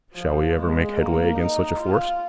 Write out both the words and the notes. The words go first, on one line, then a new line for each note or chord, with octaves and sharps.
Shall we ever make headway against such a force?
F3
G#3
A#3
D#4
F4